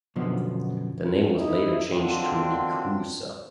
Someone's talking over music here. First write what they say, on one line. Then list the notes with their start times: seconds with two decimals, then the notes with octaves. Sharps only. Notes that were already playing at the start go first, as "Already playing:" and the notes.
The name was later changed to Nekoosa.
0.16 F#2 B2 D3 F3 B3
1.37 D#4 E4
1.89 D3 D#3 F#3 C4 D4 F4